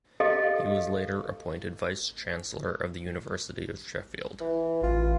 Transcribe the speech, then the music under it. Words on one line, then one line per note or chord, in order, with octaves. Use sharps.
He was later appointed Vice-Chancellor of the University of Sheffield.
G4 A4 D#5 F5
E3
A1 F4